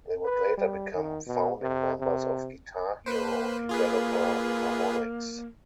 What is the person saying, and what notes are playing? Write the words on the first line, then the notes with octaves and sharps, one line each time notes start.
They would later become founding members of "Guitar Hero" developer Harmonix.
B4
G3
D#3
B2
C3
C3
A#3 B4 C5
F4 G#4 B4